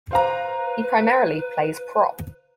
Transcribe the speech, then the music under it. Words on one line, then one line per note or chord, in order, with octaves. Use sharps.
He primarily plays prop.
B4 C5 F5 A#5